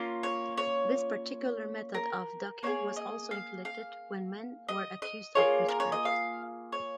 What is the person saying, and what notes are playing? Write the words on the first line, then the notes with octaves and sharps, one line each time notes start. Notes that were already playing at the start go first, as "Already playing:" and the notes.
This particular method of ducking was also inflicted when men were accused of witchcraft.
Already playing: A#3 C#4 F4
C#5
C#5
A#4
A#3 D#4 G#4 C#5
D#5
F5
F5
D#5
D#5
A#3 F4 G#4 C#5
A#4
C#5
D#5
F5
C#5